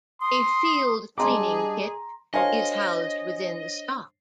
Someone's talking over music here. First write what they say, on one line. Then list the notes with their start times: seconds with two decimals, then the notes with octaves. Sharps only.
A field cleaning kit is housed within the stock.
0.21 C6 D#6
1.18 G3 D4 G#4 D5 D#5 A#5 C6 D6
2.34 D4 F#4 A#4 C5 C#5 D#5 F5 G#5